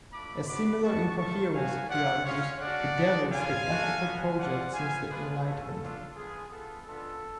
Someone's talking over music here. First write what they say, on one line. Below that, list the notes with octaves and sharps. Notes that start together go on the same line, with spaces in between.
A similar incoherence, he argues, bedevils the ethical project since the Enlightenment.
A3 D4 F4 B5 D6
B3 D4 F#4 B5 D6
B3 D4 F#4 A5 C#6
A3 F4 A5 C#6
B3 F#4 F5 G#5
A3 C#4 F4 D5 F#5
G#3 C#4 F4 C#5 F5
G#3 D4 F#4 D5 F#5
G#3 D4 F#4
B3 F4 F5 G#5
A3 D4 F#4
B3 F#4
G#3 C#4 F4 D5 F#5
B3 F4 F5 G#5
G#3 D4 F4 G#4 B4
A3 C#4 F#4 A4
B3 D4 F4
G#3 B3 F4 G#4
B3 F4 A4
G#3 B3 D4 F4 A4